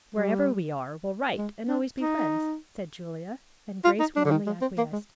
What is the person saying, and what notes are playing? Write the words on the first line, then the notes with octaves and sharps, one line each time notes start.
"Wherever we are we'll write and always be friends," said Julia, and Grace warmly acquiesced.
G3
G#3
D4
D#4
F4
D#4
D4
D3
D#3
G#3
C4
A#3
G#3